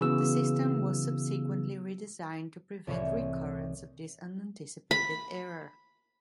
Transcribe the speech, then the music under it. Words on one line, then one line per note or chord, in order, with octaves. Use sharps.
The system was subsequently redesigned to prevent recurrence of this unanticipated error.
C#3 E3 B3 F#4 G#4 E6
C2 A2 E3 E4 C#5
B5